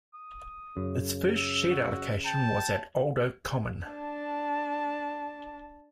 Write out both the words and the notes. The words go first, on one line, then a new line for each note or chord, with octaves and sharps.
Its first shed allocation was at Old Oak Common.
D#6
F#2 C#3
E6
F#4
G5 A5
D4 A5